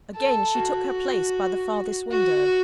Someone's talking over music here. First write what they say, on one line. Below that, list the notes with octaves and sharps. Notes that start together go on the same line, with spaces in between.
Again she took her place by the farthest window.
A4
F#4
F#4